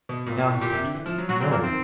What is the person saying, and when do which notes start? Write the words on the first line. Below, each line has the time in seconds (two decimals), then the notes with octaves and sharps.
I answered, No.
0.09 B2
0.26 A#2
0.38 A#2
0.50 A2
0.61 A#2 G4
0.73 C3
0.84 D3
0.94 E3
1.06 F3
1.18 F#3
1.29 F#3 F#4
1.41 F#3 C4
1.51 F3 A#3
1.63 D#3 C4